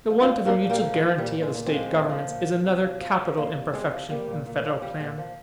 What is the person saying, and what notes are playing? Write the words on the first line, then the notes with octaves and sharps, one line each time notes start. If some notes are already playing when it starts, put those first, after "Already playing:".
The want of a mutual guaranty of the State governments is another capital imperfection in the federal plan.
F3
D4 F4
F3
F3 A#3 D4
A#2
G3 A#3
F3
G#3
F3
A#2 G3
A#2
G#3
A#2
G#3 C4
F3
A#2
F3
A#2
F3
C3
F3
F3
F3
F3 A#3 D4
C3
C3 G#3 C4
F3
F3 G3 A#3
A#2
A#2
F3
F3 G3
A#2 G#3
F3